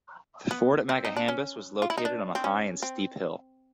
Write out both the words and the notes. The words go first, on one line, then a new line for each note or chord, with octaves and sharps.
The fort at Makahambus was located on a high and steep hill.
B3
C4
D#4
D4
C#4
F4
E4
D#4
D4
C4
C#4
C4